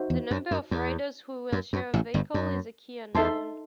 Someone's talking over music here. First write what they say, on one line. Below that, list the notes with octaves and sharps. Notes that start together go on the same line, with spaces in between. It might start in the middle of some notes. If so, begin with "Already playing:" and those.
The number of riders who will share a vehicle is a key unknown.
Already playing: D#4 F#4 C5 E5
E2
F#2
F#2
E2
F#2
F#2
A1 A2
G1 G2
F#2
E2 D#4 A4 E5 A5 C6